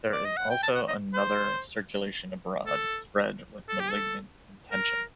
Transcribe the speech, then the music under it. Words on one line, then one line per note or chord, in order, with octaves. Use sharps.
There is also another circulation abroad, spread with a malignant intention.
D5
D#5
F#5
G5
A5
F#5
D#5
C5
A4
A4
G4
A4
A#4